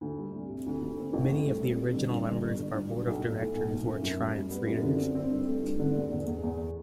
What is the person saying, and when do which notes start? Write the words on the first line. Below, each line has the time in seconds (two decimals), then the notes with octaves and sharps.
Many of the original members of our Board of Directors were "Triumph" readers.
0.01 D2
0.18 G3
0.33 C3
0.50 C3
0.66 D2
0.81 D2
0.98 C4
1.13 A1
1.30 A2
1.46 G3
1.62 C4
1.78 C4
1.94 G1
2.09 G2
2.26 G1
2.43 G1
2.58 G1
2.74 G2
2.90 F#3
3.07 B1
3.22 B1
3.38 A2
3.54 B1
3.70 B1
3.87 F#2
4.02 F#2
4.18 G3
4.34 G3
4.51 B3
4.66 F#2
4.83 D3
4.98 C4
5.15 C4
5.30 G2
5.47 A3
5.63 G2
5.79 D3
5.95 E2
6.11 E2
6.27 E2
6.43 E2